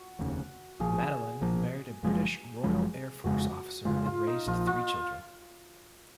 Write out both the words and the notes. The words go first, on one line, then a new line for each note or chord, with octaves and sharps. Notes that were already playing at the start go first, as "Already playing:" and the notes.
Madeleine married a British Royal Air Force officer and raised three children.
Already playing: F#4
F1 D#2 C#3
A#1 A#2 F3 G#4
A#1 A#2 F3
F#1 F#2 F3 G#3
F#1 F#2 F3 G#3
F1 F2 C#3 G#3 F#4
F1 F2 C#3 G#3 F4
F4
D#4
A#1 A#2 F3 F4
F4